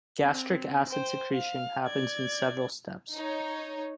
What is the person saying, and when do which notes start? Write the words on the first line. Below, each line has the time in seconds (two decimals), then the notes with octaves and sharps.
Gastric acid secretion happens in several steps.
0.21 C4
0.89 C5 G5
1.32 F5
1.85 D5 G#6
3.14 D#4 C#5